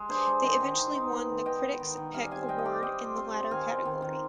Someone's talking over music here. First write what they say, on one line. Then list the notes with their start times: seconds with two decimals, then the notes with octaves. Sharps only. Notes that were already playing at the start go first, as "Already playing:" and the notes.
They eventually won the "Critic's Pick" award in the latter category.
Already playing: G#3
0.09 D4 G#4 C5
0.27 G#3
0.43 D#3 C5 D#5
0.61 D#3
0.78 D#3
0.95 D#4
1.12 B3
1.29 D#3
1.46 B3 D#5 G5
1.63 B3
1.80 D#3
1.97 D#3
2.14 G3 F5 G#5
2.31 C4 F5 G#5
2.48 G3 D#5 G5
2.58 D#5
2.65 G3 D5 F5
2.82 G3 D#5 G5
3.00 F4
3.17 C4
3.33 F4
3.51 D#3 F5 G#5
3.68 C4
3.85 D#3
4.02 D#3